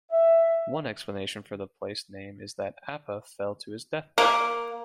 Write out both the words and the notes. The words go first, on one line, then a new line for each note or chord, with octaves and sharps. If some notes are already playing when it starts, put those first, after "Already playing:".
One explanation for the place name is that Apa fell to his death there.
E5
A#3